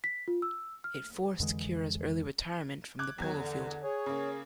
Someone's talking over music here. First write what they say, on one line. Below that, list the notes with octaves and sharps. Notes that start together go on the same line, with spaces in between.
It forced Cura's early retirement from the polo field.
B6
F4
E6
F6
F2 D3 E3 G#3
D6 F#6 G#6
E2 F#3 G#6
D3
G#4 C#5
C#3 A#3